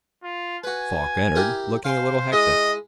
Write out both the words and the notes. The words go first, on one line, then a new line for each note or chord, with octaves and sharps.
Falk entered, looking a little hectic.
F4
F#4 B4 G#5
E4 G4 A#4
C5 F5 G#5 C6
G#3 E4 D#5